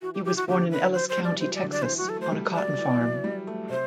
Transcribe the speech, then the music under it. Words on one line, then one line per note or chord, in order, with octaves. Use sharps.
He was born in Ellis County, Texas on a cotton farm.
E3 F#4
G4
E3 G4
F#4
D3 G4
E3 B4
F#3 C5
C5
G3
D5
E3
F#3 C5
D5
D3
D5
B4
E3 C5
F#4
F#3
A4
A3 C5
G3
F#3 D5
E3
E3
F#3
G3
A3
C3 C5